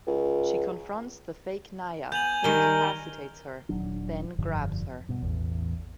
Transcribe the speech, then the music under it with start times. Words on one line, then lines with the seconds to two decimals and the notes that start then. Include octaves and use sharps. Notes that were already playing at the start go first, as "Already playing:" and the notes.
She confronts the fake Naia, incapacitates her, then grabs her.
0.07 C#2
2.12 B3 G#5 G6 F7 F#7
2.44 D#3 G3 A#4 G7
3.69 D#1 D#2 F#3 D4
4.38 F1 G2 D3 F3
5.09 G2 B2
5.22 A1 E2